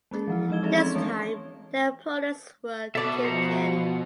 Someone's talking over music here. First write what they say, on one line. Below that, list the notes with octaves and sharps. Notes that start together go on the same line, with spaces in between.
This time their opponents were Kilkenny.
G#3 A#3 C#4 G#4
E3 F3 E4
G#3 D#4 D#5 G#6 G7
G#3 C4 G#4 A4 D#5 E5
C4 C#4 C6 G#6
E3 G#3 A3 D4 C#5
B2 F#4 A4 B4 D5 E5
F3 C5 F#5 A#5